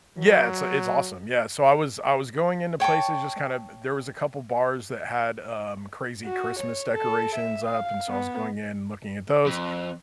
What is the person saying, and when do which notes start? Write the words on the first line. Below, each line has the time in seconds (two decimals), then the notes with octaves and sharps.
Yeah, it's it's awesome, yeah, so, I was I was going into places just kind of t there was a couple bars that had, um, crazy Christmas decorations up, and, so, I was going in and looking at those,
0.18 F#3
2.80 C#5 G5 A5 C#6
6.25 F#4
6.59 C#5
6.92 A4
7.35 E5
7.65 F5
8.08 B3
9.46 F2